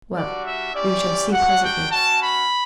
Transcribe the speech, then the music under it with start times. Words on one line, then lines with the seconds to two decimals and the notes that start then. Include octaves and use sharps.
Well, we shall see presently.
0.15 G3 D4 F#4 D5
0.44 E5
0.73 C#4 E4 G4 D5
1.32 G3 D4 F#4 F#5
1.62 G5
1.91 C#4 F#4 A5
2.20 B5